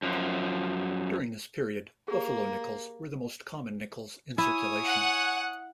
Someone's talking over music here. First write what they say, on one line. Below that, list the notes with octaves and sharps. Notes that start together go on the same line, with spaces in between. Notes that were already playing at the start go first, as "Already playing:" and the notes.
During this period, Buffalo nickels were the most common nickels in circulation.
F#2 F3
A#3 G4 G#4
E4 C#5 G#5 D#6
F#5